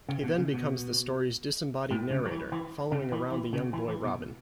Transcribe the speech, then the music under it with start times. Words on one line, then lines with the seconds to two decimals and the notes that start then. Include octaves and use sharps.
He then becomes the story's disembodied narrator, following around the young boy Robin.
0.09 C#3
0.23 B2
0.38 C#3
0.54 B2
1.91 A2
2.11 C#3
2.26 F#3
2.31 E3
2.52 E3
2.92 C#3
3.12 E3
3.32 E3
3.53 C#3
3.73 E3
3.88 E3
4.04 B2